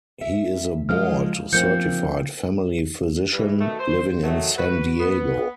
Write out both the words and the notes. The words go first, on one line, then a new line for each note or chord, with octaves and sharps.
He is a board-certified family physician, living in San Diego.
E5
F3 G#3 F4 F6
F3 A#3 C4 G6 C#7
G2 E3
B2 D#3 A3
C5
D#3 F#3 A3
F#4 B4
B3